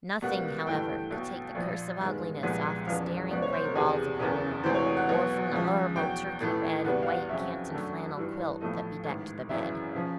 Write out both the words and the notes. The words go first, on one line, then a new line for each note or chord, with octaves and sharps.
Nothing, however, could take the curse of ugliness off the staring gray walls of the room, or from the horrible turkey-red and white canton-flannel quilt that bedecked the bed.
C#2 B2 G3 A#3 F#5
G2 E3 A3 G5
B1 B2 F#3
A#1 A#2 F3
G2 D#3 G#3 B3
C2 A#2 F3 G#3 B3 F#5
E1 E2 C#3 F3 F5
C#2 B2 F#3 D5
C#5
C5
A#4
F1 E2 C3 G#4
F#1 E2 C#3 A#4
E1 D2 C3 E3 C5
C#5
D#5
F#5
B1 B2 F#3 B3
C#2 C#3 F3
E2 B2 F#3 G5
A1 A2 E3 A3
E2 B2 G3 B3 F#5
F5
F#5
F2 C#3 F#3 E5
F#2 D3 F#3 A3
G2 E3 G3
B1 A2 F3 A3 D#5
A1 G#2 D#3
G#1 F#2 C#3 E3 E5
C#3 F3